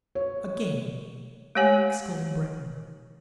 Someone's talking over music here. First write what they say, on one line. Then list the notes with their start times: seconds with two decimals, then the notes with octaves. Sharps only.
"A game!" exclaimed Breton.
0.15 C#5
1.55 G#3 A3 G4 C#5 F#5 G#5